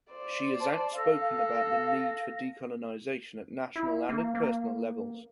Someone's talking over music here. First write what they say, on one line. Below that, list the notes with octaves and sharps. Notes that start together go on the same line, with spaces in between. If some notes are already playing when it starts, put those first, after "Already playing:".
She is outspoken about the need for decolonisation at national and at personal levels.
C5 D5
A5
A4 F5 A#6
E4
A#3
A#3